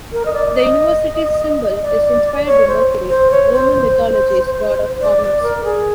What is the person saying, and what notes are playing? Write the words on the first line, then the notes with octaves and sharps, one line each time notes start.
The university's symbol is inspired by Mercury, Roman mythology's god of commerce.
A#4
D#5
D5
D#5
D5
C#5
C5
C5
C#5
C5
C5
D5
D5
A#4
G#4